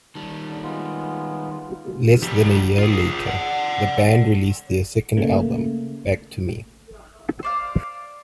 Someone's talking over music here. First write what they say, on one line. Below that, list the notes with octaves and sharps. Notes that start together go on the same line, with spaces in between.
Less than a year later, the band released their second album, "Back to Me".
D#3 G3 A5
D3
G#3 B3 F4
F3 G4
F4 G#4
D5 F#5
C#3 A3 A#3
C5 D5 F5